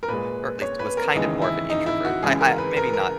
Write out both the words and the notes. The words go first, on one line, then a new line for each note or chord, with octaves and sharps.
or at least was kind of more of an introvert. I I maybe not
A#4
A#2 G#3 B4
C#5
B4
A#4
D#2 C#3 E3 G#3 D#4
E4
D#4
E4
F#4
C#2 C#3 E3 G#3 G#4
A#4
B4
A#4
A#4